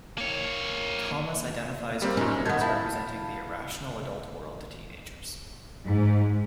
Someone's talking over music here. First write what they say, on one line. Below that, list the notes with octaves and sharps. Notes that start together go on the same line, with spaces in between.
Thomas identifies Krueger as representing the irrational adult world to teenagers.
A#3 C#5
G3 A#3 C4
F#2 C#4 D#4
D#3 B3 A5 G6 G#6
E4 F5 A5 B5
G#2